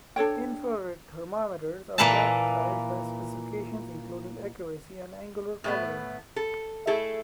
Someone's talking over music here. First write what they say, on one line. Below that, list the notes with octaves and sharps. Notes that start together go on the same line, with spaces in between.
Infrared thermometers are characterised by specifications including accuracy and angular coverage.
D4 A4 C#5 G5
A#2 E3 A#3 B4 E5 A5
A2 A3 B3
A4
A3 E4 G#4 A4